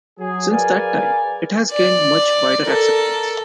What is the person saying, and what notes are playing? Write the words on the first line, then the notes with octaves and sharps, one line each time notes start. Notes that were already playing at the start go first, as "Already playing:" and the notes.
Since that time, it has gained much wider acceptance.
F#3 G#4
G#4 A#4 B4 D5 F5 G#5
D5
A4 A#4